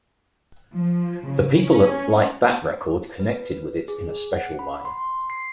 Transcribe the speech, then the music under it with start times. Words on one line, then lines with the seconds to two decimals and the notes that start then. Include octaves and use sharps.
The people that liked that record connected with it in a special way.
0.71 F3
1.26 C#3
1.68 C#4
3.20 B4
3.88 G#4
4.33 F#5
4.59 B5
4.85 C6
5.30 C7